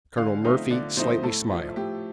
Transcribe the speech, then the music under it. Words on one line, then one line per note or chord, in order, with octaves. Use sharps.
Colonel Murphy slightly smiled.
D3 F5
F3 A3 C4 D#4
D3 D5
F3 A3 C4 D#4 C5
A2 A4
F3 A3
A2 G4